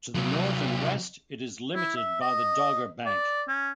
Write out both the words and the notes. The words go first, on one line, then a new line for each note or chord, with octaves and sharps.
To the north and west it is limited by the Dogger Bank.
C3 F#3
E4
E5
D#5
D5
C#4